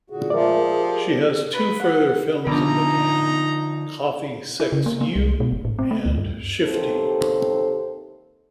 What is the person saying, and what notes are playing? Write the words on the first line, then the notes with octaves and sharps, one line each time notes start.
She has two further films in the can, "Coffee Sex You" and "Shifty".
A#2 D3 F#4 G#4
A#2 F3 G#3 A3 A#4 D5
G4 C5
B4
F#5
D3 F3 B3 D4 D#4 A#5
E4
C#3
A#3
A#3
C2
B2
G1
A2
C4
A3
D2
G2
D#2 C3 A4 C5